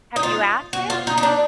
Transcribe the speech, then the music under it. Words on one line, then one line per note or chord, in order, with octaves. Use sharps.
Have you asked him?
D#4
F4
F#4
F4
D#4
D#4
D4